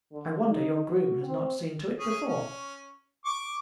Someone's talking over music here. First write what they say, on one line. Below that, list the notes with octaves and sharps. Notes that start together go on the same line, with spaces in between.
I wonder your groom has not seen to it before.
D3
D#4
F#4
C4
C#4 G#4
C#4
C#6 D6